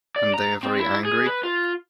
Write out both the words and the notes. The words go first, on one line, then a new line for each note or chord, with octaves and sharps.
And they are very angry?
D5
A#5
C4
E4
G#4
B4
F4